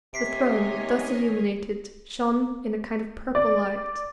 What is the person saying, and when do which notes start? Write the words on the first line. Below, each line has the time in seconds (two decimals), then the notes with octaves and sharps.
The throne, thus illuminated, shone in a kind of purple light.
0.14 C3 C#5 D#5 G#5 B6 C7 D7
0.71 D#3 A#3
3.35 D5